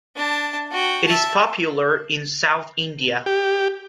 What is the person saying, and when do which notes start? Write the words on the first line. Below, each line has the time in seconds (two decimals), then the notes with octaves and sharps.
It is popular in South India.
0.16 D4 A5
0.71 F#4 G5
1.06 E5 A5
3.26 G4